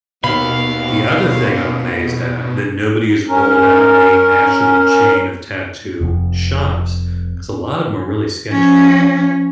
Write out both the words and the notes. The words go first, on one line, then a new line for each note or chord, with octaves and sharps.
The other thing I'm amazed at that nobody has rolled out a national chain of tattoo shops, 'cause a lot of 'em are really sketchy,
D#2 B2 F5 B5
C#4 A#4
F1 F2
F3 C#4